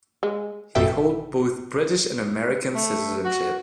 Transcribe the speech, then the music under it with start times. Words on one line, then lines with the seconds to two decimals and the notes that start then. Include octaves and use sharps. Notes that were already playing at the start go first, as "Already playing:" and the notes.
He holds both British and American citizenship.
0.23 G#3
0.75 A1 F#2 B2 A4 E5 G5
2.75 A3
3.24 F#4